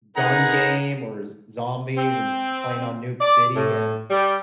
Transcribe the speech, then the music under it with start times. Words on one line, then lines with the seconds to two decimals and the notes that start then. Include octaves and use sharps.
Gun game or Z Zombies!!! and playing on Nuke City and
0.16 D#4 G#4 A#4 B4 F#5 A#5
1.97 C4
3.20 D5
3.55 A2
4.09 G3